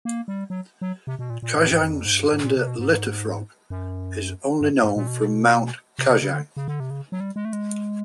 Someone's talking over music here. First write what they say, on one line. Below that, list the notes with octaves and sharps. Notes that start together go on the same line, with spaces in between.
Kajang slender litter frog is only known from Mount Kajang.
A#3
G3
F#3
F#3
C3
B2
A#2
A#2
A2
G#2
F#2
F2
G#2
G2
G#2
A#2
C3
B2
G#2
F#2
G2
G#2
A#2
B2
C3
C3
C#3
D3
C#3
D3
C3
C#3
F#3
G3
G#3
A3
G#3